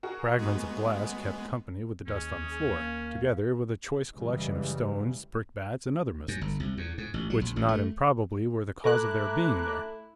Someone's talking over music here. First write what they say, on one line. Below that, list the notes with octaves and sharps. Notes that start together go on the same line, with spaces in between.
Fragments of glass kept company with the dust on the floor, together with a choice collection of stones, brickbats, and other missiles,--which not improbably were the cause of their being there.
F#4 G#4 A#4
G#3 B3
D#2 C#4 G#4
A#3 F5
F#2 C#3 E3 G3 G#3
F#2
G1
C2
E2
G#2
A1
F#3
A#1
A1
A3
A3 E4 A4 A#5 D6 F#6